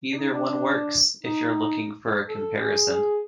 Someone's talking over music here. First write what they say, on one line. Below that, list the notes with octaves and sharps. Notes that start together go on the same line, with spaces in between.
Either one works if you're looking for a comparison.
D4
D#4
D4
D4
D#4
A4
G#4
G#4